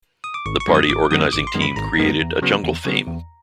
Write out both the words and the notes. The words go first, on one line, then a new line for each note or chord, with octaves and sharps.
The party organizing team created a "jungle" theme.
D#6
D6
G#1 C#6
C#6
F#2 D#3 G#3 B3
D#6
G#1 D6
F#2 D#3 G#3 B3 D#6
G#1 D6
C6
F#2 D#3 G#3 B3
B5
G#1 A#5
F#2 D#3 G#3 B3
E2
C#3 F#3 B3
E2
C#3 F#3 B3
E2